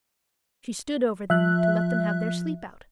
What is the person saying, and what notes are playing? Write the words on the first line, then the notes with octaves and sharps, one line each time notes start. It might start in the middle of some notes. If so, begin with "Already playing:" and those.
She stood over them to let them have their sleep out.
F3 E5 F#6